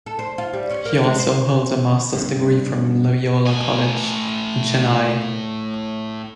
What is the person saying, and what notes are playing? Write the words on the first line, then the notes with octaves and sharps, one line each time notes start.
He also holds a master's degree from Loyola College in Chennai.
A4
C5
F4
G3
C#4
A#3
G#3
C5
G2 B3 C#4 D4
A2 G#5